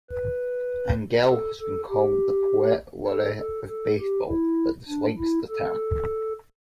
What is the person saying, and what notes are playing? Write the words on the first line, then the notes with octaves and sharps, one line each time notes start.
Angell has been called the "Poet Laureate of baseball" but dislikes the term.
B4
A4
A4
G4
A4
A4
A4
G4
E4
D4
E4
A4